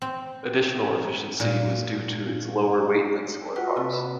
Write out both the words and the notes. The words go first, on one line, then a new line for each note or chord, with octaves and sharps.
Additional efficiency was due to its lower weight than similar cars.
C4
A#2
F4 F#4 B4 D#5 F#5 G5
C3 A#3 C4 G#5 A5
B4 B5